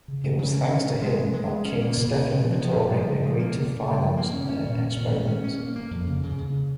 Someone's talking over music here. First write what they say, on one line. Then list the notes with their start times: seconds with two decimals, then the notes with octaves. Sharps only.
It was thanks to him that King Stefan Batory agreed to finance their experiments.
0.08 C#3
0.24 C#3
0.39 C#3
0.54 C#4
0.71 C#4
0.86 C#4
1.02 G#3
1.18 G#3
1.33 G#3
1.49 G#3
1.65 C#4
1.81 A#3
1.97 A#2
2.13 A#2
2.29 A#2
2.44 F3
2.60 F3
2.76 A#2
2.91 F3
3.07 C#3
3.23 F3
3.39 A#3
3.54 C#3
3.70 C#3
3.86 C#3
4.02 F3
4.17 A#3
4.33 C#4
4.49 C#4
4.65 A#2
4.81 C#4
4.97 A#2
5.12 A#2
5.27 C#4
5.44 C#4
5.59 A#3
5.76 A#3
5.91 F2
6.07 C#3
6.23 C#3
6.38 C#3